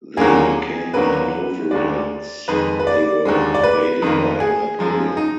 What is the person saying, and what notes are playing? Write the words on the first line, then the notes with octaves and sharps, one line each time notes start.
They became Hanoverians; they were invaded by Napoleon.
D#2 D3 F#3 A#3 G#4
D#2 D3 F#3 A#3 B4
D#2 D3 G#3 D5
F2 D#3 G#3 B4
B4
D5
D#2 D3 G#3
D5
B4
F2 D#3 A#3
G#4
F#2 F3 G#3
D#4